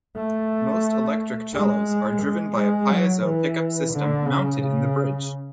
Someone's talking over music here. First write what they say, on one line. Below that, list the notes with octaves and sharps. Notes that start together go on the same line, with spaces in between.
Most electric cellos are driven by a piezo pickup system mounted in the bridge.
A3
G#3
G#3
G#3
F#3
E3
D3
C#3
C#3